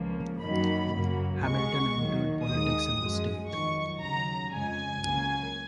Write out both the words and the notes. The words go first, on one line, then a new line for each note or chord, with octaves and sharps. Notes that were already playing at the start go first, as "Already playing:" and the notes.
Hamilton entered politics in the state.
Already playing: C#2 C#3 F3 A#3
F#2 D#3 F#3 A#3 B5
F#2 C#3 F#3 A#3
C#2 B2 G#3 C#6
D#2 D#3 F#3 A#3
D#2 D#3 G#3 D#6
F#2 F3 G#3
F2 D#3 F#3 C#6
D#2 C#3 F#3 A#5
F2 C#3 G#3 G#5
C#2 C#3 F#3 A#3